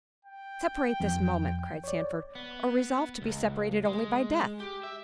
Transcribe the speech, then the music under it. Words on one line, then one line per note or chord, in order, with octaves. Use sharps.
"Separate this moment," cried Sandford, "or resolve to be separated only by--death."
G5
F2
C#5 D5
B3
C#2
G#3
G4
E5